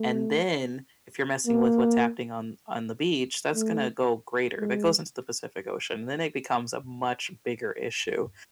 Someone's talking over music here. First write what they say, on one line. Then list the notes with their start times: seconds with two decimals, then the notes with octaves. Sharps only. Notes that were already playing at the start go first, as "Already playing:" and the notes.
and then if you're messing with what's happening on on the beach, that's gonna go greater, that goes into the Pacific Ocean, then it becomes a much bigger issue.
Already playing: A3
1.47 A#3
3.55 A3
4.59 G#3